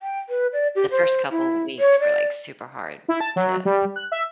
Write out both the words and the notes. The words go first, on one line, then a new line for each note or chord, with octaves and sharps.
The first couple weeks were, like, super hard to
G5
B4
D5
G4
C5
E4
C#5
D5
E4
A5
F#3
G3
F#6
E5